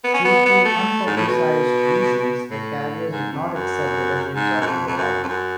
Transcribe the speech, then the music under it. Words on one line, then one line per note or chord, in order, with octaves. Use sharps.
Due to unpublicized reasons, the carrier did not accept deliveries of the type.
B3
C#4
B3
B3
A3
G#2
A2
B2
A2
G#2
F2
F#2
G#2
F#2
F2
F2
F#2
F2
F#2